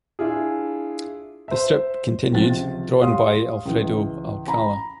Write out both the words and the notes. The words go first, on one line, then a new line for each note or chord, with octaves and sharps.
The strip continued, drawn by Alfredo Alcala.
D4 E4 F4 G#4
C5 E5
C#2 C3 F3 C4 A6
G4 C#5 F5 C6 D#6
C#2 E3
A#5 B5